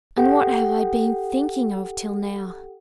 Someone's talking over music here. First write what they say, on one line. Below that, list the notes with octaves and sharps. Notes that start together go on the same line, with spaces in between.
"And what have I been thinking of till now?"
G4 A4 F#5 G5